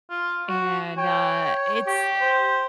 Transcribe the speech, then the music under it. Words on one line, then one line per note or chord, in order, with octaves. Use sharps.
and, uh, it's eh,
F4
F#4
C#5 G5
G4
C5